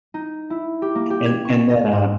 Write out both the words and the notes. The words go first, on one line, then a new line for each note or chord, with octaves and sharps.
and and then, uh,
D#4
E4
G4
A#3
G4
G#6
C#6
D#5
G#2